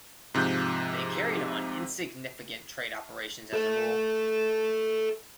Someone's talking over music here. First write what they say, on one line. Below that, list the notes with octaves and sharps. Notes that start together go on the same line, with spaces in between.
They carried on insignificant trade operations as a rule.
G#2 C3 F3 F#6 G6
A4 E5